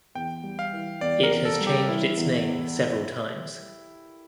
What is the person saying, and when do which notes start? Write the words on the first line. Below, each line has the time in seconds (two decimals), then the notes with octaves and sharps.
It has changed its name several times.
0.15 E2 G5
0.43 G3
0.59 F5
0.73 E3
1.01 E2 D5
1.23 A#4
1.31 E2
1.45 A4
1.60 G3
1.67 G4
1.89 E3 E4
2.17 E2
2.47 E2